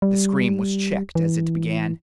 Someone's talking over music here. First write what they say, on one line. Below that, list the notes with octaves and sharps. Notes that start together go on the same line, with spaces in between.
The scream was checked as it began.
G3
E3